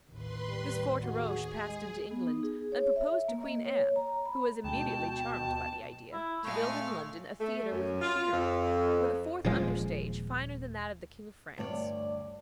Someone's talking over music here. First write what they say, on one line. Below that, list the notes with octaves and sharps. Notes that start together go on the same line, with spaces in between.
This Forteroche passed into England, and proposed to Queen Anne, who was immediately charmed by the idea, to build in London a theatre with machinery, with a fourth under-stage finer than that of the King of France.
A1 D#2 B4 C6
G3
F#4 G#4
G#3
B3
D#4
G#4
C#5
E5
A#3
D#5
C#5
A#5
B5
D2 B2 G#3 G5 A5
E4
A#2 G#3 A3 F5
A3
F#2
F4
F2
D#1 A#2 F3 G#3
D2 G2 C#5 D5